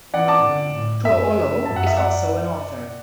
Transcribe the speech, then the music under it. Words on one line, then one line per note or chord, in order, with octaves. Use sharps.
Tuaolo is also an author.
E3 D5 F#5
A5 D6
D3
A2
F#2 E5
F#2 A5
F#5
E5
D5 F#5